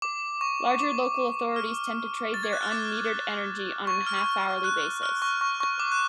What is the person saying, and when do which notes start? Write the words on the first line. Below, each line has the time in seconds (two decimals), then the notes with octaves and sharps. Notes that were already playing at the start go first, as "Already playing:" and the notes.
Larger local authorities tend to trade their unmetered energy on a half-hourly basis.
0.02 D6
0.41 C#6
0.79 D6
1.56 F6
2.34 A6
2.43 G#6
2.53 F#6
2.62 F6
2.72 D6
3.87 C#6
4.07 F6
4.64 F#6
5.03 F6
5.22 C#6
5.41 C#6
5.60 C#6
5.80 D6
5.92 F#6